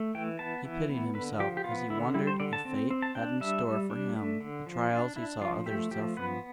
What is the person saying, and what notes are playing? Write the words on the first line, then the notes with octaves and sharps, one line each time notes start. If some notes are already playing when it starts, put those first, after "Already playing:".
He pitied himself as he wondered if fate had in store for him the trials he saw others suffering.
Already playing: A3
E3 G5
B3 A5
E3
B3
D3 B4
F3 G4
G4
B3 F4
D3 E4
G3 E4
C5
D3 D5
A5
C4
C4
A5
D4 G5
G3 E5
G3
D4
A3
D3
F3
D4 F4
D4 E4
F3 F4
A3 G4
F3 G4
B3 B4